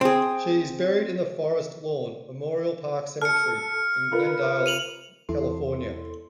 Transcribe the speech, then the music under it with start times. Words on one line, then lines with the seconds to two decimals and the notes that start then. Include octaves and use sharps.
She is buried in the Forest Lawn Memorial Park Cemetery in Glendale, California.
0.01 C4 G#4
3.22 A4 F6 C#7
4.12 F4 A#4 B4
4.66 D#7 F7 F#7
5.29 E2 E4 A4 C6